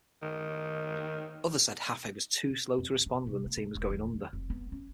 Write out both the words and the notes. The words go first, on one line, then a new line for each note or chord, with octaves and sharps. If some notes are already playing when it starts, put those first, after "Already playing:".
Others said Hafey was too slow to respond when the team was going under.
D#3
F2
D4
C3
A#3
D4
E1
E2
D2
F1
B3
C#4